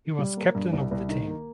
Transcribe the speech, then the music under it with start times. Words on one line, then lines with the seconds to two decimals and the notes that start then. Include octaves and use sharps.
He was captain of the team.
0.19 G3
0.37 A#3
0.55 G2
0.73 C2
0.91 C2
1.09 D#3
1.27 A#3